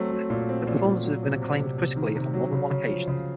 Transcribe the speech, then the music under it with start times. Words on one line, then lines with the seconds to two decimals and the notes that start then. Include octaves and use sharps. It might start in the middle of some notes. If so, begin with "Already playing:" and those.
Her performances have been acclaimed critically on more than one occasion.
Already playing: F#3 A3 C4
0.11 F#3
0.30 A#2
0.49 C4
0.67 A#2
0.86 A#2
1.04 F#3
1.23 C3
1.42 C3
1.60 C3
1.78 C3
1.96 D#3
2.15 C3
2.34 F#3
2.52 C#3
2.71 C#3
2.89 F3
3.08 C#3